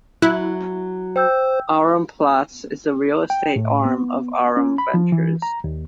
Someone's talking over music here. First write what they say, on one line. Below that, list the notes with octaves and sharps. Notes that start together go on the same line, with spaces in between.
Aurum Platz is the real estate arm of Aurum Ventures.
F#3 E4 F#6
C5 G5 E6 G6
G5
A2
B3
C#4
B5
F3
E3
A#5
D#2